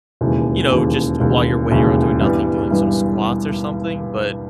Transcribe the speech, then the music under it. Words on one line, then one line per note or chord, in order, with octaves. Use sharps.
you know, just while you're waiting around doing nothing, doing some squats or something, but
E1 D#2 C#3 E3
E1 D#2 C#3 E3
E1 D#2 C#3 E3
E1 D#2 C#3 E3
G2 E3 G3 B3
G2 E3 G3 B3